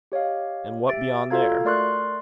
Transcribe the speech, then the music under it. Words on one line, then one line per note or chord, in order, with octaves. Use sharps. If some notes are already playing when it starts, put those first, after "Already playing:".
"And what beyond there?"
G4 C#5 D#5 F5
G4 E5 A6 D7
F4 F#4 A4 F5 A#5 G#6
A3 A#4 D5 C6 C#6 F#6